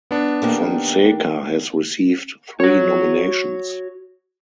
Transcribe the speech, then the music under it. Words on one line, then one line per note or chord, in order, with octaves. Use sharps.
Fonseca has received three nominations.
B3 D4
D#3 A#3 G4
F#4 C#5